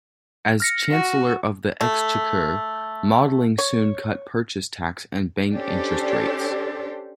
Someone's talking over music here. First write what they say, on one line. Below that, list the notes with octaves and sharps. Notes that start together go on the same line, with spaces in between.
As Chancellor of the Exchequer, Maudling soon cut purchase tax and bank interest rates.
F6 A#6 C#7
F#4
A3
C#5
C#4 D4 G4 A4 C5